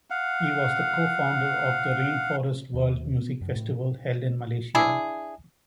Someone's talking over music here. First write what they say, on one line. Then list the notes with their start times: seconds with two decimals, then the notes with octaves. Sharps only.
He was the co-founder of the Rainforest World Music Festival held in Malaysia.
0.10 F5 F#5
2.74 D#2
3.22 B3
3.41 F#2
3.55 A2
4.75 D4 E4 G#4